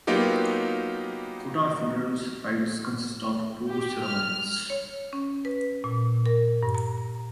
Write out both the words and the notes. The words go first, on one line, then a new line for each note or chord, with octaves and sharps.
Kota funeral rites consist of two ceremonies.
F#3 A#3 B3 D#4 F4 G4
G4
F6
C#5
C#4
B4
A#2
A#4
G2
A#5